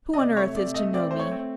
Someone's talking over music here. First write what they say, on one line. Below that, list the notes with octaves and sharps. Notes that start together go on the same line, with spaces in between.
Who on earth is to know me?'
D#5
C3 D5
A3 C#5
C3 D5
A3 D#5
C4 D5
A3 C5
C#5
C4